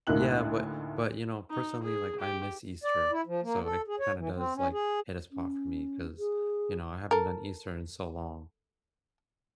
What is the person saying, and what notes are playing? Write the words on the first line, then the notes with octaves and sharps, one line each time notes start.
Yeah, but but, you know, personally, like, I miss Easter, so it kinda does, like, hit a spot for me 'cause, you know, I haven't done Easter in so long,
D2 A2 A#3 D#4 F#6 F#7
D#4
G#4
G4
D5
E4
F3
A#3
A4
G#4
C#5
E3
C4
C#4
G#4
C#4
G#4
A4 A#4